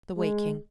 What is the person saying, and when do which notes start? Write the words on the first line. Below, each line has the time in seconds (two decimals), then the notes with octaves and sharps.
The Waking.
0.17 G#3